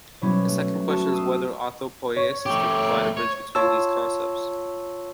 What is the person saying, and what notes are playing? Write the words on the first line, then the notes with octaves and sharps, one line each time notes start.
A second question is whether autopoiesis can provide a bridge between these concepts.
B2 F#3 G3 B3 C#4 E4
A3
F#4 A5
D#6 E6 C7
C#5
A3 G4
C#5
F4 C#5 A5 C6 E6